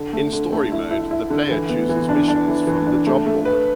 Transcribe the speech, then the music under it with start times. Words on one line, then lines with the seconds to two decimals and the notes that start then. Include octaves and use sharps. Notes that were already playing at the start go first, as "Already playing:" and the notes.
In story mode, the player chooses missions from the Job Board.
Already playing: D3
0.13 A3
0.33 D3
0.52 A3
0.72 E4
0.91 E4
1.11 E4
1.30 D3
1.50 E3
1.69 B3
1.89 E3
2.09 D4
2.28 D4
2.48 E3
2.67 E3
2.87 D4
3.06 A3
3.26 A3
3.45 B4